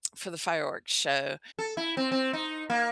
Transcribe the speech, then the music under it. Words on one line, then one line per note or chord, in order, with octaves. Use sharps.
for the fireworks show,
A4
E4
C4
C4
D#4
A#3